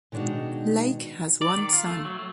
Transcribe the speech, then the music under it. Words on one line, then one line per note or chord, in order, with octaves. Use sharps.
Lake has one son.
B2 D#3 G#3 D4 D#4 F#4
D5
D#3
F4
A3
F#3
A3